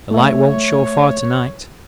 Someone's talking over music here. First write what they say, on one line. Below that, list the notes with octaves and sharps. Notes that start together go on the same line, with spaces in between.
"The light won't show far tonight."
A3 C#5 E5